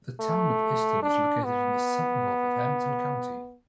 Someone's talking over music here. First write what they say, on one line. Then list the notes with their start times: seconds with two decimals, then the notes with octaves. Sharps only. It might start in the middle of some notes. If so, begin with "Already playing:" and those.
The town of Estill is located in the southern half of Hampton County.
0.19 A3
1.03 D4
1.45 B3